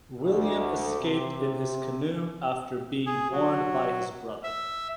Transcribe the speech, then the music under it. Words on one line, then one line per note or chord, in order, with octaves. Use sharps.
William escaped in his canoe after being warned by his brother.
D2
C3
G#4
F#3
E5